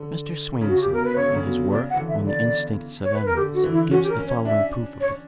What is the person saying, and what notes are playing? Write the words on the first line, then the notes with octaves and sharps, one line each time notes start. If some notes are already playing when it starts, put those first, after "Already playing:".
Mr. Swainson, in his work on the instincts of animals, gives the following proof of this.
Already playing: D3
C#3
F#4
G4
B2 A#4
B4
C#3 C#5
D3
C#3
B2
C#3 D5
F#5
E3
D3
E5
D5
C#5
B4
A#4
D3 G4
F#4
E3
E4
C#4 F#4
G4
A#4
C#4
C#5
D4 E5
C#5